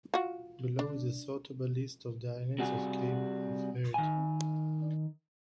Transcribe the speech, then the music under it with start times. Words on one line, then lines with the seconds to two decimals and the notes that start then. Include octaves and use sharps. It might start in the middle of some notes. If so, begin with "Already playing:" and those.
Below is a sortable list of the islands of Cape Verde.
0.14 F4 F#4
0.79 D4
2.59 C3 G3 F#4 G#4
3.94 D#3 G#5